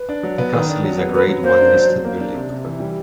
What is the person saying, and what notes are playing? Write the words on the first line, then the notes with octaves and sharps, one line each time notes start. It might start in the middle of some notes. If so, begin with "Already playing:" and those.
The castle is a Grade One listed building.
Already playing: B4
D4
F#3
B3
D#3
D4
F#3
B3
F#3 B4
F#3
A#3 C5
D4
F#3
F#3
A#3
D4
C3
C3
E3
G3